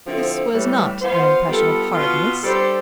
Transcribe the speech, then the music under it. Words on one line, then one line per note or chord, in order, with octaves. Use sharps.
This was not an impression of hardness.
D3 F3 C4 E4 A4
A2 E3 G3
B3 F4 C5
G3 B3 F4 A4
B2 B3 F4
G3 D4 A4 C5